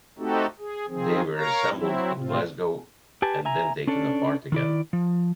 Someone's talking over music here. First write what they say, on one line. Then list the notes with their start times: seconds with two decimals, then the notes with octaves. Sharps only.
They were assembled in Glasgow and then taken apart again.
0.18 A3 C4 D#4 F#4 G4 A4
0.59 G#4
0.88 D#3 F3 C4 G#4
1.36 A#4 C#5 F5 A#5
1.70 F#3 C4 E4
2.18 A2 C3 C4 F4
3.22 G4 B4 G#5 A5
3.45 E5 G#5 A#5
3.87 C#4 D4 A4 D5
4.52 D#3 E4 D5
4.93 F3